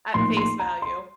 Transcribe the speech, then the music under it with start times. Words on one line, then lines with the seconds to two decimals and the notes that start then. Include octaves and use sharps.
At face value.
0.14 A2 F3 A#3 D#4 C6
0.37 C6
0.60 A#5
0.82 C6